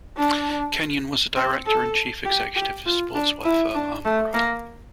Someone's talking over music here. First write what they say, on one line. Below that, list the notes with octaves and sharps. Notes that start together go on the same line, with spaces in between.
Kenyon was a director and chief executive of sportswear firm Umbro.
D4
C4
A4
G4
G4
F4
D4
E4
D4
A3
A#3